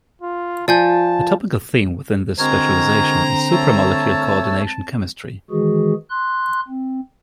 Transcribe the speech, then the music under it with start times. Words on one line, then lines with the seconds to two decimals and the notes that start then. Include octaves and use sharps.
A topical theme within this specialization is supramolecular coordination chemistry.
0.22 F4
0.68 F3 D5 G#5 A5 G6
2.39 D3 G#3 C4 F#4 A#4 A#5 G#6
3.51 A3 C#5 A5 E6
5.50 D#3 E3 G#3 F#4 G#4
6.10 C6 F#6
6.68 C4